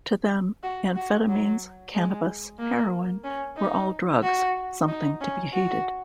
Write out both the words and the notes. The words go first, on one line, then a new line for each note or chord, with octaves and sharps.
To them amphetamines, cannabis, heroin were all drugs - something to be hated.
F#4
F#4
F#3
G#3
A#3
C#4
D#4
F#4
D#4
C#4
F#4